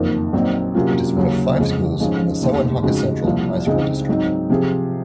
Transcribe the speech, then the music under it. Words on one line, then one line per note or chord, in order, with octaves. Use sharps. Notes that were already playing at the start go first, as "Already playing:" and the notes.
It is one of five schools in the Sewanhaka Central High School District.
Already playing: F#1 F2 D#3 A#3
A#1 A#2 F#3 C4 D#4
C3 F#3 A#3 C#4 F4
D#2 C#3 F#3 C#4
F2 C#3 G#3
G#1 G#2 F3 G#3 C#4
F1 D#2 C#3
F2 C#3 G#3 D#4 F#4
C2 A#2 F3
C#2 C#3 G#3 C4 D#4
G#2 F#3 C4 D#4
C3 F3 C4 F4 G#4